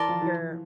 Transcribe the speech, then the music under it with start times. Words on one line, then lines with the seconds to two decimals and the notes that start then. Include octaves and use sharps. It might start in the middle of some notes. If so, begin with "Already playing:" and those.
n you're
Already playing: E3 A#4 D5 A5 C6
0.09 F3
0.22 E3